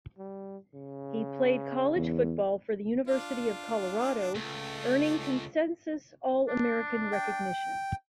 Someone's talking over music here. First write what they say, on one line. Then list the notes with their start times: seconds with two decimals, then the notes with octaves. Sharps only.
He played college football for the University of Colorado, earning consensus All-American recognition.
0.18 G3
0.75 C#3
1.95 E2
3.08 D4 F4
4.35 C#2 A3
6.48 D4
7.13 G5